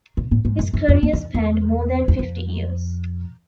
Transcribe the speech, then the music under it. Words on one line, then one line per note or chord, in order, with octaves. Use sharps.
His career spanned more than fifty years.
A#2
A2
G#2
F#2
F#2
F2
F2
E2
E2
E2
F2